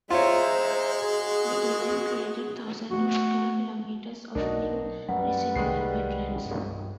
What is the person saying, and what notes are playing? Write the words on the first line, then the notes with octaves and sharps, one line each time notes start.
The event created thousands of square kilometres of new residual wetlands.
G#3 F4 C5 C#5 E5 A#5
F#4 G#4
A3 F#4
B1 D4 D#4 F#4 A#4
F#2 F#3 G3 B4 F#5
C2 D#3 G#3 C7
G2